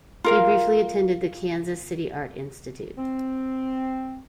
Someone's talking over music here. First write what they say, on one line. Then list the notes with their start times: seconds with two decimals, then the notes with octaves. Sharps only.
He briefly attended the Kansas City Art Institute.
0.24 F4 A#4 F5
2.98 C4